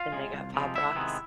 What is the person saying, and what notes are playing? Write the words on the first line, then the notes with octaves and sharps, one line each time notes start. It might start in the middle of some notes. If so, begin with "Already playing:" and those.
And they got Pop Rocks.
Already playing: F4 F5
C3 F3 G#3
C2
C3 F3 G#3
C#2 E4 E5
C3 D#3 G#3 B3